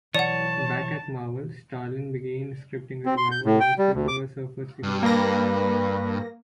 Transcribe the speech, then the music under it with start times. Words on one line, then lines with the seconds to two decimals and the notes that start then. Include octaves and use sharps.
Back at Marvel, Starlin began scripting a revival of the "Silver Surfer" series.
0.15 B1 E3 C#5 D5 F#5 A5
3.05 C4
3.17 C6
3.32 G6
3.45 A2
3.60 G5
3.78 G3
3.94 D2
4.08 D6
4.83 G2
5.03 A#3 B4 A#6